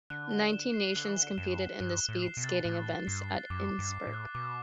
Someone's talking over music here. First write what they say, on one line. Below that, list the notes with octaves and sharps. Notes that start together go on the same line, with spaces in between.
Nineteen nations competed in the speed skating events at Innsbruck.
D3 F#6
G7
E7
C7
D3 F#6
E3
G7
D3
F#2 E7
C7
G2 F#6
G7
A2
C7
B2
C3 A6
B2
A2 F#6
G7
G2 C7
A6
F#2 D6
D6
G2
C7
A2
F#6
B2 D6